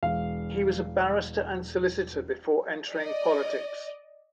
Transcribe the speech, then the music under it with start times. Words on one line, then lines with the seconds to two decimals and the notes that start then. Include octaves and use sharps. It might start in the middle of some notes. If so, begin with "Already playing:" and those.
He was a barrister and solicitor before entering politics.
0.03 E1 F5
2.91 D5 D#5